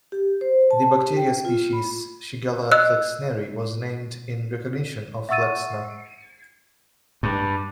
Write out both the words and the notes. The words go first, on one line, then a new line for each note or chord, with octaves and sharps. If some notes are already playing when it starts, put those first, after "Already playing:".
The bacteria species "Shigella flexneri" was named in recognition of Flexner.
G4
C5
A5
G4
G5
F4
B5
D#5 E6 F#6
E5 F#5 C#6 E6 A6 D#7
G2